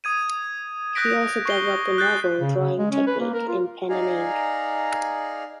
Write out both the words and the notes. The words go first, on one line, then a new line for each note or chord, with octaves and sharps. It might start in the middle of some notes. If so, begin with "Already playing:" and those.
He also developed a novel drawing technique in pen-and-ink.
D#6 G#6 D#7
D#6 F#6 G6 A#6 B6 D7
C#6 C7 G7
F#6 G6 A6 C7
C#3
C#3
G#3
C#4
B4
A#3
A#4
F4
D#4 G#4 D5 F5 G#5 A#5